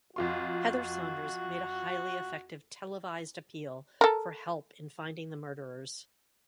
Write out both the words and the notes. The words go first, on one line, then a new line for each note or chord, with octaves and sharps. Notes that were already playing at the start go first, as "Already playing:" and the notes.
Heather Saunders made a highly effective televised appeal for help in finding the murderers.
F2 F4 F#4 C6
A4 A#4